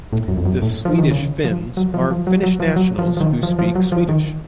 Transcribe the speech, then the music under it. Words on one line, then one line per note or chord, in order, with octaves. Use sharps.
The Swedish-Finns are Finnish nationals who speak Swedish.
A2
F#2
F2
F#2
A2
F3
D#3
C#3
F3
F#3
F3
F3
F#3
F#3
F3
F#3
F3
F3
D#3
F3
F3
F#3
F3
D#3